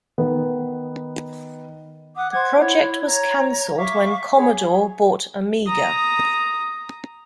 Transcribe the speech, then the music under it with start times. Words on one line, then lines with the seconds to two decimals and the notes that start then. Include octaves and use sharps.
The project was cancelled when Commodore bought Amiga.
0.18 D#3 B3
2.16 F#5 D6 D#6
2.33 C5 F#5 D6 G#6
2.58 E4 C#5
3.05 C#5 A#5
3.77 E5 F5 C#6 D6
4.36 G#4 C#5 B5
5.67 A#5 D#6